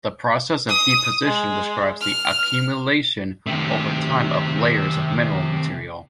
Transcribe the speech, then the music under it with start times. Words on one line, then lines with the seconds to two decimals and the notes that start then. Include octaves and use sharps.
The process of deposition describes the accumulation, over time, of layers of mineral material.
0.68 D#6
1.24 G#3
2.01 F6
3.47 C3 D#3 A3 G4